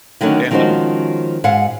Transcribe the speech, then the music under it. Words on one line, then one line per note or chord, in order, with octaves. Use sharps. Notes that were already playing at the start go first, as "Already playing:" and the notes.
and, um
D3 D#3 F#3 A3 C#4 D4
D#3 F3 G#3 C#4 F#4 C5
G#2 F5 F#5